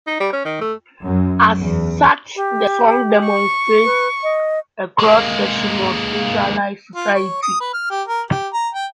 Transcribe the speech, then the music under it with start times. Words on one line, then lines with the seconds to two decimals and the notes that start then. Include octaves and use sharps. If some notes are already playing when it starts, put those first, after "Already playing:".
As such, the song demonstrates a cross section of Israeli society.
0.07 D#4
0.20 G3
0.33 C#4
0.45 D#3
0.61 A3
1.04 F#2
1.59 E2
2.36 G4
3.26 C#6
3.85 B4
4.23 D#5
4.99 G#3 A#3
6.95 F4
7.14 C#5
7.42 D#6
7.60 B4
7.74 F6
7.90 G4
8.07 A#4
8.31 G4
8.53 A#5
8.74 G5